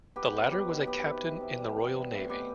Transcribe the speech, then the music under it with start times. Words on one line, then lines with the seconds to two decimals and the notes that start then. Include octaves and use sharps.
The latter was a Captain in the Royal Navy.
0.16 B3 G4 B4
0.33 D#3
0.51 F#3 G4 B4
0.69 D#3
0.87 B3 G4 B4
1.04 C3
1.22 E3
1.41 C3
1.58 G3
1.76 B3
1.94 E3
2.12 A2
2.29 B2 G4 B4